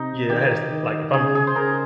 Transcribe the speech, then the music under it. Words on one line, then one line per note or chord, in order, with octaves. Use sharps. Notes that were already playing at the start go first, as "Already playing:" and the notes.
Yeah, I had this Like, if I'm
Already playing: C3 D#4
D#3 G4
D#3
C#3 G#4
G#4
C5
C#3 A#4